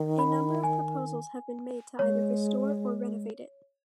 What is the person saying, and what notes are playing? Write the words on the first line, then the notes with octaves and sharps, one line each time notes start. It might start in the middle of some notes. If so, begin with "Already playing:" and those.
A number of proposals have been made to either restore or renovate it.
Already playing: D#3
B5
G#5
G#3 C#5